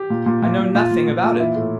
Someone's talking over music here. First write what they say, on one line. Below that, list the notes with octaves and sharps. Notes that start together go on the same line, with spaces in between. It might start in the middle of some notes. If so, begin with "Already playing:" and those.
"I know nothing about it."
Already playing: G4
A#2
A#2
A#2
A#2
A#2 F4
A#2
A#2
A#2
E3 E4
A2